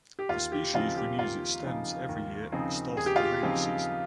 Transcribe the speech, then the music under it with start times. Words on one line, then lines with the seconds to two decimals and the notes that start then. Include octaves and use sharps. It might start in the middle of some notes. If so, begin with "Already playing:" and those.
The species renews its stems every year at the start of the rainy season.
0.19 G4
0.29 D#2 F4
0.52 G4
0.74 C#3 F3 C4 D#4 F4
0.97 G4
1.19 D#2 F4
1.63 C#3 F3 C4 D#4
2.09 D#2
2.52 C#3 F3 C4 D#4
2.97 D#2 G#4
3.06 G4
3.16 F4
3.23 G4
3.41 C#3 F3 C4 D#4